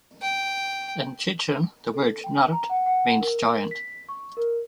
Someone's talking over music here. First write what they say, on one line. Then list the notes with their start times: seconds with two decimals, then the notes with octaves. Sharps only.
In Chechen the word "nart" means "giant".
0.22 G5
1.94 A4
2.24 G5
2.52 A#5
2.70 F#5
2.86 F#5
3.21 A#4
3.71 B6
4.09 C#6
4.37 A#4